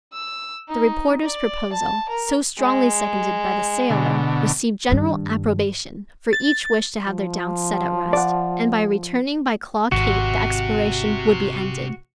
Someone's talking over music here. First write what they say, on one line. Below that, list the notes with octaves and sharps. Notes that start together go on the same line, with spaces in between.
The reporter's proposal, so strongly seconded by the sailor, received general approbation, for each wished to have their doubts set at rest, and by returning by Claw Cape the exploration would be ended.
E6
D#4
D5
A5
A#4
G#3
B2 D3
G2 D#3
A6
F3
D5 F#5
G#1 C3 F#4